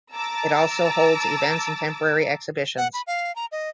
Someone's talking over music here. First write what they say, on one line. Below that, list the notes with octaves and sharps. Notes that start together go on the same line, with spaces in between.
It also holds events and temporary exhibitions.
A5 A#5 D6 E6 A6
F#5
B5
F5
A#5
D#5